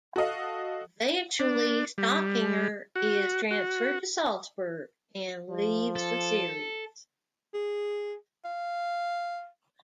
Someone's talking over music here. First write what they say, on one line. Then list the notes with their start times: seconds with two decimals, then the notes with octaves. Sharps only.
Eventually, Stockinger is transferred to Salzburg and leaves the series.
0.16 F#4 A4 D#5 F5
1.39 D4
1.98 G3
2.96 F#4
3.51 F#4
5.50 F3
5.96 A4
7.54 G#4
8.45 F5